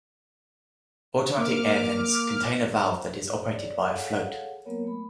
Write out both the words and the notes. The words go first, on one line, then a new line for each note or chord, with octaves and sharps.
Automatic air vents contain a valve that is operated by a float.
A#3 D6 F6
C#5 D5
G#4 A4 C#5 F5 F#5 G#5
F#3 A#3 B3 A#4 C#5
A3 B5